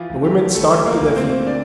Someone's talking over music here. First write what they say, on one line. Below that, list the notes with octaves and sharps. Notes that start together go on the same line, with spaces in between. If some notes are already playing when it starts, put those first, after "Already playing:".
The women started to their feet.
Already playing: E3 F3 E4 F4
D2
G3 G4
D2 A3 A4
A#3 A#4
D2
C4 C5
D4 D5